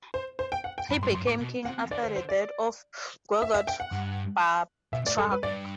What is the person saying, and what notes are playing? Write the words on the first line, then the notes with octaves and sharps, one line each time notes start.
He became king after the death of Gurguit Barbtruc.
C5
C5
G5
F#5
G5
F#2 B5
G2 C6
F#2 C6
A2 D6
B2
C3 F#5
D3 D5
C5
C5
D5
E5
E5
G5
F#5
G2
B2 E5
A2 D5
G2 A4
B4
G2 D5